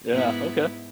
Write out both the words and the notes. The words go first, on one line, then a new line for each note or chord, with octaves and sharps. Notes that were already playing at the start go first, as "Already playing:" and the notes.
Yeah. Okay.
G#2 B3 E4